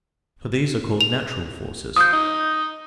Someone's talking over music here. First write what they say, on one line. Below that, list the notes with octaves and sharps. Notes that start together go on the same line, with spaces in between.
For these are called "natural" forces.
F7
F3 D#6 G6
D#4